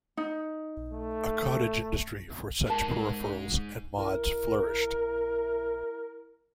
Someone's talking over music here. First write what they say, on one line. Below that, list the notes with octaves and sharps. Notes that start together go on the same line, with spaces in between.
A cottage industry for such peripherals and mods flourished.
D#4
A3
G#2 A#4 A5
E4 A#4